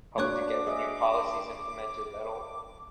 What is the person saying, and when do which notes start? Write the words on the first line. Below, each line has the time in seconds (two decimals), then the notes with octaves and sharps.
hoping to get new policies implemented that'll
0.18 A#3 D4 F#4 C#5 C#6 D6 F#6
0.66 G#4 D#5 E5